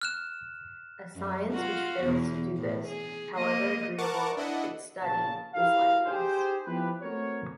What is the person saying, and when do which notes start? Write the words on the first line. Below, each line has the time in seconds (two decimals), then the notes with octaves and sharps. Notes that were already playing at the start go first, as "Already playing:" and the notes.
A science which fails to do this, however agreeable its study, is lifeless.
0.02 F6 F#6 E7
1.15 F#2
1.51 F4 F#4
2.04 E2 B2
2.58 A2
2.88 G#4
3.37 A#3 D#5
3.98 A#4 F#5 A5 C#6 D6
4.37 D4 E4 D#5 F#5
5.02 A#1 C#3 A5
5.55 E4 F#4 G4 A#4 F5
6.06 D#4 G4 G#4 C5
6.66 F3 B3 E4 G4 B4
7.02 A3 C4 F#4 A#4 C#5